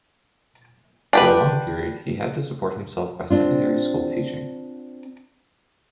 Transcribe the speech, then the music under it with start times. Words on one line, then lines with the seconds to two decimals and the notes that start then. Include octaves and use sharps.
For a long period he had to support himself by secondary-school teaching.
1.13 D4 G4 B4
3.30 C4 D4 F4